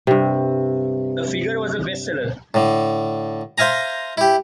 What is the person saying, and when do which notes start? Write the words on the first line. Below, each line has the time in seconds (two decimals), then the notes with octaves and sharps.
The figure was a best seller.
0.07 G2 C3
2.54 A2 D3
3.58 C5 E5 F5 G#5 A#5
4.18 E4 G4